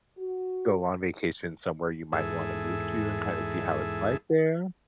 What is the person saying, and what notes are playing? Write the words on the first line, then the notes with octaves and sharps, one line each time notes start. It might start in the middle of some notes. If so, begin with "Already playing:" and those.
Go on vacation somewhere you might wanna move to and kinda see how it's like there?
F#4
E2 G#2 G#4 A4 E5